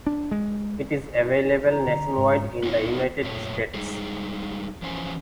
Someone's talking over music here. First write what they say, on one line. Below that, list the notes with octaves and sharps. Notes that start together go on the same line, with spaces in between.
It is available nationwide in the United States.
D4
G#3
A#5
D3
G#2
B3 D#4 F4 C#5
F#2 A#2 A3 C#5
G3 G#3 D#4 G#4
E3 F3 C#4 C5 G#5